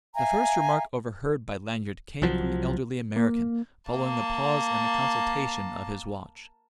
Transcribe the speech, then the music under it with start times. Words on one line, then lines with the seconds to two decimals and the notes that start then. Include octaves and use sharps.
The first remark overheard by Lanyard came from the elderly American, following a pause and a consultation of his watch.
0.15 E5 F5 G#5 A#5
2.22 C2 F3 F#3
3.16 A#3
3.91 A#3 A5